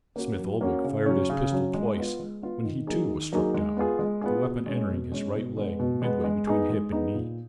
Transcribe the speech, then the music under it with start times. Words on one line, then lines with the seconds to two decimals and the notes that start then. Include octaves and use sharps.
Smith-Oldwick fired his pistol twice when he too was struck down, the weapon entering his right leg midway between hip and knee.
0.16 A#3 C#4 F#4
0.39 F#3
0.61 A#3 C#4 F#4
0.84 C#3
1.06 F#3 C#4
1.30 C#3
1.52 F#3 C#4
1.74 G#3
1.97 B3 F4
2.19 G#3
2.42 B3 F4
2.64 D#3
2.87 F#3 A#3 D#4 G#4
3.10 D#3
3.32 F#3 A#3 D#4 G#4
3.54 G#3
3.77 B3 F4 G#4
3.99 G#3
4.21 B3 F4 G#4
4.44 B2
4.66 G#3 C#4
4.90 B2
5.12 G#3 C#4
5.35 B2
5.57 G#3 B3
5.80 B2
6.02 G#3 B3
6.24 G#3
6.47 B3 D#4 G#4
6.70 G#3
6.92 B3 D#4 G#4
7.15 A#2